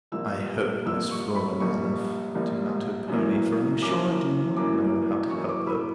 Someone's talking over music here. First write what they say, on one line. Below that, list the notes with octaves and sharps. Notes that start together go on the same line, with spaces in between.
I hope Miss Flora knows enough to mount her pony, for I am sure I do not know how to help her.
A#1 A#2 G3 A#3 E6
A#1 A#2 G3 A#3 E6
C#6
B5
A#1 A#2 G3 A#3 C#6
A#1 A#2 G3 A#3
F#2 E3 A#3
F#2 E3 A#3 D6
F#2 E3 A#3 D6
F#2 E3 A#3 C#6
D6
B5